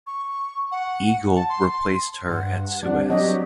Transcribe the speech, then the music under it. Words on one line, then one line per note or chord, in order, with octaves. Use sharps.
"Eagle" replaced her at Suez.
C#6
F#5
A5
C6
G2 F#5
G3 C4 D4
F#3 B3 G4 C#5 D#5